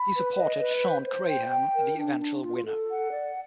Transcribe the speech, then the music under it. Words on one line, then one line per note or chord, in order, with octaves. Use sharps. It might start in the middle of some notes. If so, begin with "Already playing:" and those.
He supported Shawn Graham, the eventual winner.
Already playing: B5
B4
D#5
B4
C5
C5
G5
G5
A#4
D4
D4
F4
A4
F#5
D5